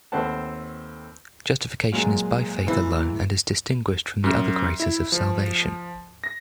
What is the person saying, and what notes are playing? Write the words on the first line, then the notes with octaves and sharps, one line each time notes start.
Justification is by faith alone and is distinguished from the other graces of salvation.
D#2 A3 C4 B4 F#5 A5
A#2 F#3 G#3
E3
F#2
E4
F3
A#6